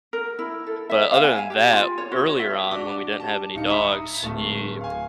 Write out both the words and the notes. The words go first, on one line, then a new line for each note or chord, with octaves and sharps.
but other than that, w earlier on, when we didn't have any dogs, he
A#4
E4
A4
E5
F5
G#5
G4
F4
C#5
F#4
C#5
E5
D4 F#4 D6 G7
G4 A5
D#1 D#4 F5 C#7
E5 A#5 B5 D#6
D1 A3
F5 G#5